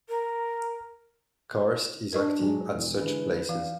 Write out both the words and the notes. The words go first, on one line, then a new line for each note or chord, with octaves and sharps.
Karst is active at such places.
A#4
D4 A#4 D#5 C#6
F#3 G#3
E1 E3
D3 E3 G#3 B4
E3 F5